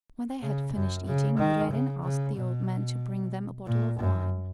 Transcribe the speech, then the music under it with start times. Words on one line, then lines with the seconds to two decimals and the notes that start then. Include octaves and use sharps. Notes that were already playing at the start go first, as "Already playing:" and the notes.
When they had finished eating Noureddin asked the old man to bring them a bottle of wine.
0.41 C#3
0.74 F#2
1.06 C#3
1.38 D#3
1.71 C#3
2.03 C#3
2.36 B2
3.66 A#2
3.99 F#2